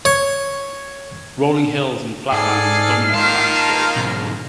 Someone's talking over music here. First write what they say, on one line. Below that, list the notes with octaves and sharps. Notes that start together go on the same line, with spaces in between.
Rolling hills and flatlands dominate the landscape.
C#5
G#2 G#4 A4 D5 F6 C7
D#3 A#3 F4 A5
B1 G#2